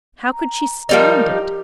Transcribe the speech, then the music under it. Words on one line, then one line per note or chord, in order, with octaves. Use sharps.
How could she stand it?
A#5
F3 G3 D#4 A#4
G4